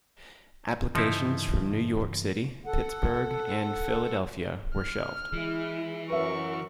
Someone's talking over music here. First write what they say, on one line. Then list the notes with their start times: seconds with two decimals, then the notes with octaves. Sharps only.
Applications from New York City, Pittsburgh and Philadelphia were shelved.
0.95 G2 C#3 E3 F3 D#4 E4
2.66 A4 F#5
4.75 F6
5.33 E3 G#3 E4 G#4
6.10 F#2 A#4 B4 E5 C#6